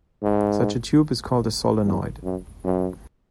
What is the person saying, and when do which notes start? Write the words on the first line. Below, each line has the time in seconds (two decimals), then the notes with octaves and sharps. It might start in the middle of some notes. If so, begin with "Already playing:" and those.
Such a tube is called a "Solenoid".
0.23 G#2
1.84 E2
2.23 F#2
2.64 F#2